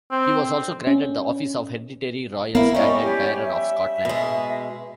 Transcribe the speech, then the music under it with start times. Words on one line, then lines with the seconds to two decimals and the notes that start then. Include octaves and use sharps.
He was also granted the office of Hereditary Royal Standard-Bearer of Scotland.
0.11 C4
0.87 C#4
2.55 A#3 B3 E4
2.75 G3 C#4 D5 D#5 C#6
3.02 G4 C#5
3.45 E5
4.05 B2 G#3